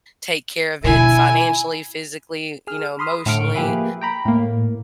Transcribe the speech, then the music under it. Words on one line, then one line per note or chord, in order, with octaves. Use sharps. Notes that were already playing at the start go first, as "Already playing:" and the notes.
take care of it financially, physically, you know, emotionally,
B2 D3 E4 G#5
G#4 F6
B5 C6 D#6 F6
A2 D3 C#6 F6 D7
F3 A#3 G4 G#4 B4 E5
G5 A#5 B5
A2 A#3